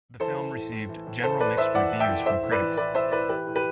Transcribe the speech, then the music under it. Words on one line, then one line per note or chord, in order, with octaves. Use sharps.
The film received general mixed reviews from critics.
E3 A4 C5
E3
A2
A2
E3
A2
E3 A4 C5
E3 B4 D5
A2 C5 E5
E3 D5 F#5
A2
E5 G5
E3
A2 C5 E5
A2
B4 D5
E3
E3 B4 D5
E3 C5 E5
A2 B4 D5
E3 G4 B4
A2
G4 B4